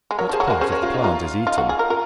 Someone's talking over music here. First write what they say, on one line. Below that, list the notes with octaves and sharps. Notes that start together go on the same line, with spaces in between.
What part of the plant is eaten?
G#3
F#3 A#4 C#5
F3 G#4 C5
F#3
F#4 A#4
G#3
C#4 G#4 C5
A#4 C#5
F4
D#4
D#4 F4
D#4 F4
F#4
G#4
A#4
F4 A#4